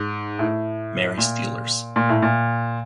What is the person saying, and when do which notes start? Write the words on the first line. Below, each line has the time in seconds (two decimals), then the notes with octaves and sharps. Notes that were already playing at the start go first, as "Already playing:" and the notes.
Marie Steelers.
Already playing: G#2
0.39 A2
1.18 A#2
1.96 A#2
2.09 A2
2.22 A#2